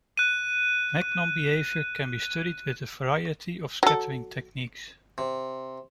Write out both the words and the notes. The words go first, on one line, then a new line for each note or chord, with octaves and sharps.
Magnon behavior can be studied with a variety of scattering techniques.
F#6 D#7
F#3 A4
C3